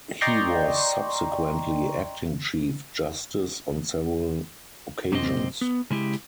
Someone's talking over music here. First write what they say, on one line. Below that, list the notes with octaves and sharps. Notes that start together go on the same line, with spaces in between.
He was subsequently Acting Chief Justice on several occasions.
D5 D#5 G5 A#5 C6 C#6
F#2 C3 C4 D4 D#5
B3
C#3 G#3 E4 G4